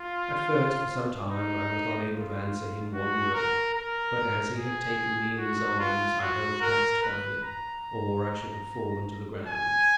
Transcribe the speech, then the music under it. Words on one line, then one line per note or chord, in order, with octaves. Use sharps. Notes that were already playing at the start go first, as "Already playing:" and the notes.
At first, for some time, I was not able to answer him one word; but as he had taken me in his arms, I held fast by him, or I should have fallen to the ground.
Already playing: F4
D#4
F4
F#4
A#4
A#4
G#4
F#4
F4
F#4
A#4
B4
A#5
G#5